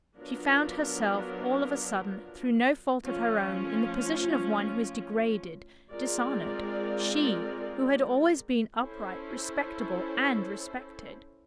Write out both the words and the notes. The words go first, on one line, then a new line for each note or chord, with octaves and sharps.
She found herself all of a sudden, through no fault of her own, in the position of one who is degraded, dishonored; she, who had always been upright, respectable, and respected.
F#3 B3 D4 F4 A#4
F3 A3 C#4 F4
G#3 C4 F4 A#4 D5
C#4 E4 A4 C5